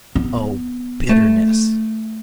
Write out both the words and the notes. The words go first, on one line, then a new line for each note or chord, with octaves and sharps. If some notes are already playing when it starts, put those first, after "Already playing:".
Oh, bitterness!
B3
A3